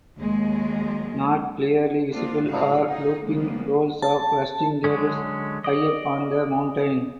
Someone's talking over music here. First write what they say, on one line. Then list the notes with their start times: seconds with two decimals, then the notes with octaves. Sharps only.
Not clearly visible are looping rolls of rusting cable high up on the mountain.
0.19 D#2 F#3 G#3
2.13 G#3 A#3 C4 D4 F4
2.46 A2 C#3 G3 G#3 F#4 F5
2.84 D#4 G#4
3.24 C#3 F3 G3 G#3 A#3 B3
4.02 A5
4.84 D3 F#3 G#3 C#4
5.64 D5 D#5